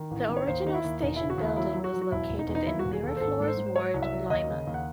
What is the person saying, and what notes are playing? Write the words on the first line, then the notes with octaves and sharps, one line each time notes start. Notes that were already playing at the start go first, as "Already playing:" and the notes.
The original station building was located in Miraflores Ward, Lima.
Already playing: D#3
A1
D#3
C#5
D#2 C5
D#3 D#4
E4
D#2
E1 D#4
C#3 E4
F#4
D#2
E4
F#3 E4
F#3
F#4
F#3
F#4
E1 E4
E1
D#4
E2
D#4
D#2 E4
F#4
E1
G#4
D#2 A4
C5
G#1 A4
G#2 A4
C5
G#2
C5
F#3 C#5
C2
E5
F#3
D#2 D#5
C#3
D#2
F#5